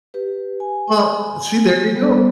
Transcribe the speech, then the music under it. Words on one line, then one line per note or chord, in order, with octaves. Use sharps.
Well, uh, see, there you go.
G4 B4
G#5
G3 B3 A4 C5